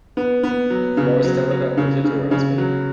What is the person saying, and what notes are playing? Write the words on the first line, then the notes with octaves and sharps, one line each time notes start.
Florastella got closer to her husband.
B3
B3
F#3
C#3
F#3
F#3
C#3
C#3
C#3
F#3